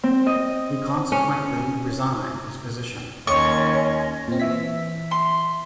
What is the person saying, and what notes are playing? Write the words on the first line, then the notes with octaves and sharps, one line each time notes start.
He consequently resigned his position.
C4
D#5
C#4
D#2 C#4 C#5 D#5 C6 C#6
A#2 C4
E3 E5 B6
C6